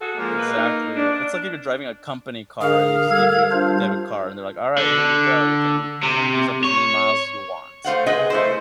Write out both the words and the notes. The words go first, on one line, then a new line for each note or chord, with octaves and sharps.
Exactly, it's like if you're driving a company car and they just give you a debit card and they're like, "All right, here you go, you can use up as many miles as you want."
F#4 G#4 A4
F3 G#3 A#3
B4 D#5
D#4
D4
D3 G#4 A#4 F5
G3 A4 G#6
D4 F4 C5
D3
C3
C#5
A3 C5 F5 F#5
G#4 B4 D#5 F#5 G#5
A3 E4 C5